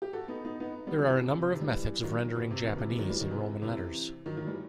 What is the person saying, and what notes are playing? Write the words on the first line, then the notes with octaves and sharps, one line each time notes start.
There are a number of methods of rendering Japanese in Roman letters.
G4
F#4 A4
B3 D#4
B3 D#4
B3 D#4
G3 B3
D#3 F#3
C3 E3
C3
C3
C3 E3
E3 G3
E3 G3
D#3 F#3
B2
C3
B2 D#3
C3 E3
C3 E3
D#3 F#3
E3 G3
D#3 F#3
C3 E3
C3 E3
D#3 F#3
D#3 F#3
E3 G3